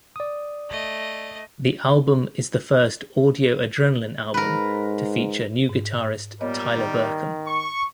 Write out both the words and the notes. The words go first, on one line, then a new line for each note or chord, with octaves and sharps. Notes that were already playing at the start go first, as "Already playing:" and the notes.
The album is the first Audio Adrenaline album to feature new guitarist, Tyler Burkum.
D5 D#6
A3 D#5
G#2 A#4 B4
G#2
A#2 G3 B3 A#4 C#5 D#5
D#3
C#6